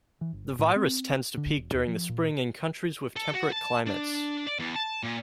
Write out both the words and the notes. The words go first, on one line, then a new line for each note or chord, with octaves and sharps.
The virus tends to peak during the spring in countries with temperate climates.
E3
G1
A2
C4
D3
E1
D#2
F3
A#2
A4
F#4
A5
D4
D5
E2
A5
A#2